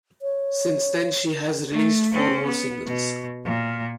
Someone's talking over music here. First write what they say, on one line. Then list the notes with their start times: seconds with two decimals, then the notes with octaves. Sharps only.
Since then she has released four more singles.
0.22 C#5
1.71 A3
2.13 C4 C#4
2.46 B3
2.87 B2
3.45 A#2